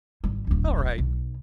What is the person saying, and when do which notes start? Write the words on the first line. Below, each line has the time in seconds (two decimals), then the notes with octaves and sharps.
"All right."
0.24 G#1 G3
0.47 D1 A#1
0.98 B1